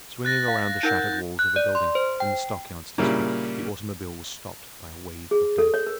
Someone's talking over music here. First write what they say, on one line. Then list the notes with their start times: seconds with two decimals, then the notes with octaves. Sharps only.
Swinging around the shattered walls of a building, in the stockyards district, the automobile was stopped by a wave of dead.
0.25 F#6 A6 A#6
0.48 F5
0.83 D#4 A#4 F#5 G6 A#6
1.39 F#6
1.56 D5
1.75 C6
1.95 C5
2.20 G5
2.98 A#2 C#3 G3 A#3 E4
5.31 G#4
5.58 A4
5.74 C#5
5.87 A#4